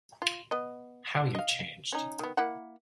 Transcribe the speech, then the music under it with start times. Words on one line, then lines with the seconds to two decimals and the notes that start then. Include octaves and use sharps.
How you've changed!
0.22 F4
0.51 B3 D#5
1.35 D#5 F5
1.92 C#4 D#4
2.19 D#3 B3
2.37 A#3 E4 F#5